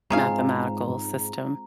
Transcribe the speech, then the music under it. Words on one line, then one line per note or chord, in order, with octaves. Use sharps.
Mathematical system?
G#2 C#3 G#3 C4 F4 G#4 F5 A#5